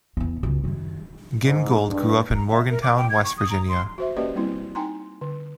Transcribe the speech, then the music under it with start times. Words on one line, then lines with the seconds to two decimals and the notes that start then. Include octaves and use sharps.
Gingold grew up in Morgantown, West Virginia.
0.17 E2 B3
0.43 C#2 F#2
0.64 F#2 D#3
1.43 G#2
1.89 G2
2.35 A#5
2.48 E5
2.70 A#4
2.82 D6
2.97 G5
3.10 G#6
3.24 C#6
3.38 D#6
3.50 A#5
3.69 C6
3.98 F#4 C5 E5
4.17 A#3 C#4 G4 B4 D5 D#5
4.35 G3 A#3 C4 E4
4.75 D#4 G5 G#5 A#5 C6
5.21 D3